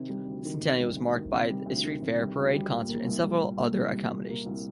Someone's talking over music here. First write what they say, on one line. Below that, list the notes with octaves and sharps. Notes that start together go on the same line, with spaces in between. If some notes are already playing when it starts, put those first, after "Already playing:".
The centennial was marked by a street fair, parade, concert, and several other accommodations.
Already playing: C3 D#3
G3
D2
D#3
C3
G3
D2
D#3
C3
G3
D2
D#3
C3
G3
D2
G3
A#2
A#3
C2
G3
A#2
A#3
C2
G3
A#2
A#3
C2